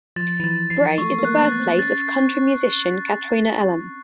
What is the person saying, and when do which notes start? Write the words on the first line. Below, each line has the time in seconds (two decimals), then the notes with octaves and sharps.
Bray is the birthplace of country musician Katrina Elam.
0.16 F3 A6
0.40 E3
0.44 F3 A6
0.70 E3 C7
0.98 A3 C#6
1.18 A#3
1.25 F#6
1.39 B3
1.52 A6
1.60 C4
1.79 C#4 A6
2.07 C7
2.20 C4